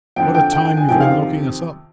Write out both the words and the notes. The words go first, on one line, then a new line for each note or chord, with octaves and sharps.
"What a time you've been looking us up."
F2 D3 G5
G5
G5
G5
G#5
F2 C3 D#3 G5
F5